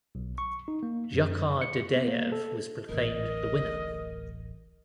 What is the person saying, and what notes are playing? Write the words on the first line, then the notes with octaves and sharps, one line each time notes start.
Dzhokhar Dudayev was proclaimed the winner.
B1
C#6
D#4
A#3
F#2
C#7
B3
A#3
A4
D1 A1 A#4 D#5